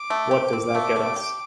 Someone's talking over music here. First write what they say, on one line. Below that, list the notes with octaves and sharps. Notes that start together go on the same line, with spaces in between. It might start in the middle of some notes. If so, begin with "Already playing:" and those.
What does that get us?
Already playing: D6
A3
G4
C4
A3
A3
G4